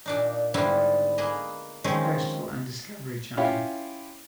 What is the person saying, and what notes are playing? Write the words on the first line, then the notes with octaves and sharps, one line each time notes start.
Postal and Discovery Channel.
A#2 D4 D#4
G#2 D3 G3 B3 E4 F4
A#3 G#4 B4 D#5
D#3 F3 G#3 C4 C#4
C#4 E4 F4 G4 C#5 F5